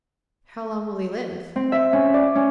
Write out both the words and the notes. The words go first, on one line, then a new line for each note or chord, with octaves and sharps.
"How long will he live?"
C4
E5
C#4
D5
C#4